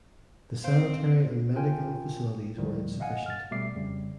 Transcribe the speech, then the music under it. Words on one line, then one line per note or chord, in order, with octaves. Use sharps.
The sanitary and medical facilities were insufficient.
C4 C5 F5
F4 A#4 G5 G#5
D2 A2 D#3 F3 G3
D#5 F5 F#5 G#5
F6 A6
B2 G3 A3 E5 D6 C7
F2 C#3 G3